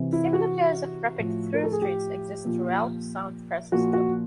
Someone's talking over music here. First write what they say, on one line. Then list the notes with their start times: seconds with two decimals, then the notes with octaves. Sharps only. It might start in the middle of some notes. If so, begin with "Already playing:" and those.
Similar pairs of rapid through-streets exist throughout San Francisco.
Already playing: C3 E3
0.13 E4
0.33 F#4
1.18 A2 F3
1.54 A#4
1.64 A4
1.72 G#4
1.82 G4
2.45 A#2 F3
3.72 A#2 F3 F#4
3.93 F#4